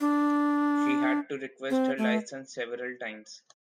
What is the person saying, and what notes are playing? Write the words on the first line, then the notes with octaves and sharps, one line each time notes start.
She had to request her license several times.
D4
C4
A3